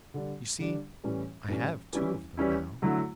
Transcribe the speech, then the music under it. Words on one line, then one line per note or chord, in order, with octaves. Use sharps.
You see, I have two of them now.
D3 G3 D4
D3 G3 D4
A2 E3 G3 C#4
A2 E3 G3 C#4
E3 G3 C#4 E4
E3 G3 C#4 E4
D3 F#3 A3 E4